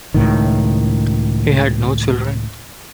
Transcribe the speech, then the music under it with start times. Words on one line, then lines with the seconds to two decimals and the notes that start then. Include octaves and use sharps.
He had no children.
0.14 C#2 A2 D#3